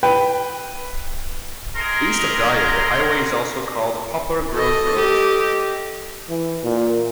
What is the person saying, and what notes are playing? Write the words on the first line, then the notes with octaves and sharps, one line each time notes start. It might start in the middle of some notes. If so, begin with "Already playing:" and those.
East of Dyer the highway is also called Poplar Grove Road.
B4 G5
G4 G#4 A#4 D#5 A#5 C6
A4 D#5
G4
E3
A#2